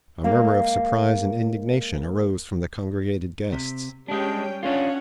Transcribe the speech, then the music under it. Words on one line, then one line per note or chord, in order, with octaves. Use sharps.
A murmur of surprise and indignation arose from the congregated guests.
G#3 A#3 F5
C3
G3 G#3 C#4 D4 G5
C#4 D4 F4 F#5